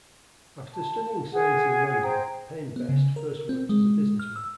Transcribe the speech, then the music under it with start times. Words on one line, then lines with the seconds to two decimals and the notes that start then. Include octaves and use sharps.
After studying science in London, Payne Best first worked as a businessman.
0.75 A5
1.32 G#4 F#5
2.03 C5 G5 A#5
2.76 B3
2.89 C#3
3.16 A#4
3.49 C4
3.69 G#3
4.20 F6
4.36 E6